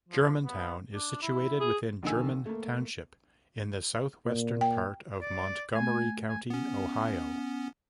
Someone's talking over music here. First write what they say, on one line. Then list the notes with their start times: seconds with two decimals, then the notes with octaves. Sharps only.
Germantown is situated within German Township, in the south-western part of Montgomery County, Ohio.
0.09 F3
0.43 B3
0.94 D4
1.23 E4
1.60 G#4
2.03 A#1 D3 D#3 D#4 G#5 E6
2.46 A3 A#3
4.25 A#2
4.61 G5
5.21 D5
5.75 A3 G#5
6.29 G#5
6.50 B3 C#4